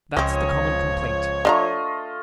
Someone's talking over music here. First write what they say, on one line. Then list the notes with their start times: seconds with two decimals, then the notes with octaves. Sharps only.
That's the common complaint.
0.17 C#2 F3 C4 C#4 C#5 D#5
1.45 A3 D4 F4 C5 D#5 A#5